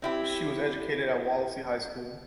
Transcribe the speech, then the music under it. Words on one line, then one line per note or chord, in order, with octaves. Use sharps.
She was educated at Wallasey High School.
C4 E4 G4